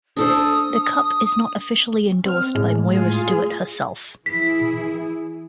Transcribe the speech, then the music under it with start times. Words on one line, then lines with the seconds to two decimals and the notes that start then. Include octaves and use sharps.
The cup is not officially endorsed by Moira Stuart herself.
0.17 D4 A4 C5 D#6
2.26 C4 F6
2.55 A2 G#3
2.91 F4 G#4
4.26 E3 E4 G#4 B6